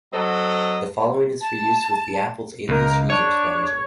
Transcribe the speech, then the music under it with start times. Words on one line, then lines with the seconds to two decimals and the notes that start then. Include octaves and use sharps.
The following is for use with the Apple's Alias Resource Manager.
0.14 F#3 C4 A4 D#5
1.40 A5
2.69 C#2 A#4
3.10 D4 C#5